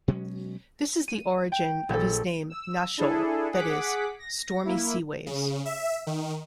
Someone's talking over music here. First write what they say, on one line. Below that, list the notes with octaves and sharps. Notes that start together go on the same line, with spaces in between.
This is the origin of his name "Nahshol", that is, "stormy sea-waves".
B2 F#3 G#3 C#4
D#7
G5
A#1 A4
E6
D4 E4 G#4 A4
G#4 F#5 D6 B6
A#6
A#3 E4
C#3
E5
D#3